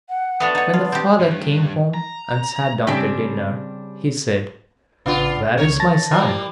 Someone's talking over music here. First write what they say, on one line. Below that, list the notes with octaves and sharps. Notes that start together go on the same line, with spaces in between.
When the father came home, and sat down to dinner, he said, "Where is my son?"
F#5
A3 B3 D4 F#4
D#4 C#5 F#5
F4
C4 G4
G2
A#5
C#3 G3 C4 D4 G4
A1 C#3 B3 D4 F4 F5
C#2 C#3 A#4 C#5
A5 A6 A#6
E3 G3 A#3